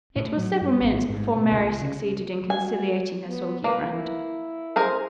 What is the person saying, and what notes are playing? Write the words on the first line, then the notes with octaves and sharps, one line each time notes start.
It was several minutes before Mary succeeded in conciliating her sulky friend.
A2
F#3
G2
G#1
G#2
B2
C#2
C#3
F#4 G#5
B3
A#3 B4
E4
G#4 A#4 C5